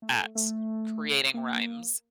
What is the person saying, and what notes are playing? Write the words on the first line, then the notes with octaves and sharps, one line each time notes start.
at creating rhymes.
A3
A3
A#3